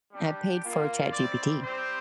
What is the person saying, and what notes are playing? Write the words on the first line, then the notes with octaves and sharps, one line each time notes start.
I paid for ChatGPT
G3 D4 G4
A#3 F4
G3 C4 E4 D5
G3 C4 G4 C5